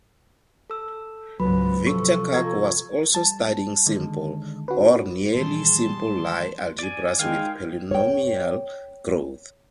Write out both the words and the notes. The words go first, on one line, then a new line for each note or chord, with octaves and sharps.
Victor Kac was also studying simple or nearly simple Lie algebras with polynomial growth.
A4 E6
C#2 G#2 F#3 B4 B5
C3 F3 A4 C#6
F4 A#5 C#6 G#6
G3 A5
D3 D#3 G#3
C#4 D#4 F#4 B4
A#2 D#3 E3 G3 G#3 A5 C6
D5 G#5
D#3 G#3 F5 G5 G#5
C#5 G5